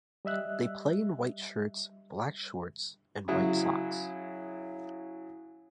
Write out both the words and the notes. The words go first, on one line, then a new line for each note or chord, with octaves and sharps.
They play in white shirts, black shorts and white socks.
G3 D#5 E5 F#6
C#3 F#3 E4 G#4